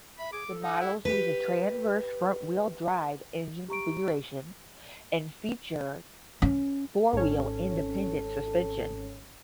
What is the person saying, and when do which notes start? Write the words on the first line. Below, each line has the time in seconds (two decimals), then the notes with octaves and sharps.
The models use a transverse front-wheel drive engine configuration and feature four-wheel independent suspension.
0.19 E5 B5
0.32 G#4 D6
0.47 A4
0.63 D#4 F#5
0.80 E4
1.05 G4 B4
3.68 G4 A#5 C#6 D7
6.42 C#4
7.13 G#1 C#4 A4